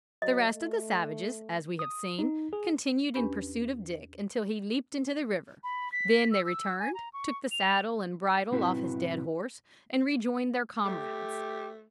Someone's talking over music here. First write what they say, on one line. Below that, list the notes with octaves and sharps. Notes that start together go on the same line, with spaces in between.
The rest of the savages, as we have seen, continued in pursuit of Dick until he leaped into the river; then they returned, took the saddle and bridle off his dead horse, and rejoined their comrades.
F#3 D#5
A3
D#6
D#4
G#4
E2 C#4 D4 G4 B4 B5
B5
B6
E6
E6
G#5
A#5
C#6
F7
B1 G#2 C4 E4 F#4 B4
A3 G4